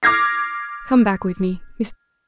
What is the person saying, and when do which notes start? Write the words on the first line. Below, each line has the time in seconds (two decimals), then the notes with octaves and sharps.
Come back with me--Mrs.
0.03 D6 F6 G#6 A#6 C7